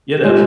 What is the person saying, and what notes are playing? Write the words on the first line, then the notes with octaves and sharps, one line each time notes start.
You know?
G4
G#3 F4